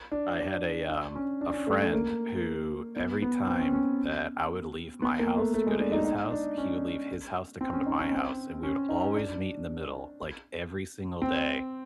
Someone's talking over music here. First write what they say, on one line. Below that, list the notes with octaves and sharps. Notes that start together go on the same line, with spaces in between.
I had a, um, a friend who every time that I would leave my house to go to his house, he would leave his house to come to my house, and we would always meet in the middle, like, every single day.
D4
D4
C#4
D4
C#4
A3
A3
A#3
B3
B3
C4
C#4
C#4
B3
A#3
A3
A3
G#3
D4
D#4
D#4
D4
C#4
C4
C#4
D#4
C#4
C4
C#4
D#4
D4
C4